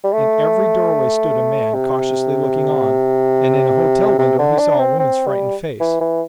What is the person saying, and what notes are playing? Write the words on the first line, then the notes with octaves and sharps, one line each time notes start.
In every doorway stood a man cautiously looking on, and in a hotel window he saw a woman's frightened face.
G3
A3
C3
C3
D3
D4
C4
C4
G3
E3
E3